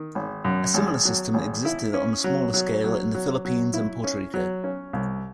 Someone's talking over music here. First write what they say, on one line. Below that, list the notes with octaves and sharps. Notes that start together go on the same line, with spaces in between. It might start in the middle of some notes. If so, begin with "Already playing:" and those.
A similar system existed on a smaller scale in the Philippines and Puerto Rico.
Already playing: D#3
G#1
F#2
G#1
F#3
G#1
E4
C#4
F#3
F#3
F#3
F#3
F#3
E4
C#4
F#3
C#4
C2